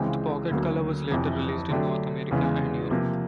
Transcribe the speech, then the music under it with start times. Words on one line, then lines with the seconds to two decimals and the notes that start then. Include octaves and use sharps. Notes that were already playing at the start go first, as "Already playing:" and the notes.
The Pocket Color was later released in North America and Europe.
Already playing: C#2 C#3 E3 G#3 C4
0.51 D2 D3 F#3 A#3
1.10 F1 F2 C3 E3
1.70 D3 F#3 A3 D4 G4
2.31 E2 C#3 E3 G#3
2.91 C3 F3 A#3